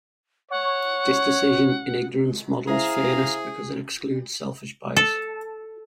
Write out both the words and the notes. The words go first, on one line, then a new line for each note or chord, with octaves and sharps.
This decision-in-ignorance models fairness because it excludes selfish bias.
C#5 F#5
E4 G#4 C5 E5 F5 A#5
A4